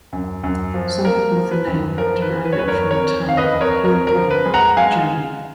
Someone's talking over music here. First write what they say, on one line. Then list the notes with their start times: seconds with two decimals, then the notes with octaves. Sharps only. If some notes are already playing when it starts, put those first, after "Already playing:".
Some people with the name derive it from the town of Heilbronn, Germany.
0.13 F#2
0.44 F#2
0.74 F3
1.05 A#3 A#4
1.37 F3
1.51 B4
1.67 F#2
1.98 F3 A#4
2.22 B4
2.29 F3
2.45 B4
2.53 C#5
2.59 F#2 B4
2.68 A#4 C#5
2.91 F2 A#4 C#5
3.22 F2
3.29 F5
3.37 B4 D#5
3.53 F2
3.61 A#4 C#5
3.84 F2 A#4
4.07 A#4
4.15 F3
4.31 B4
4.46 G#3
4.54 F#5 A#5
4.77 G#3 F5 G#5